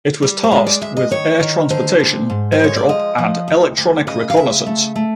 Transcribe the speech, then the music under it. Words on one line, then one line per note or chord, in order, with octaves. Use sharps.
It was tasked with air transportation, airdrop and electronic reconnaissance.
G3
C5
G#3 B4
D5
D2 E5
D#5
D#3 C#5
D#3
D3 C5
D2
G#2
C5
G#3 C#5
D5
F3 D#5
F3
D2
D2
C#3 D#5
F5
C#3 E5
A3
A3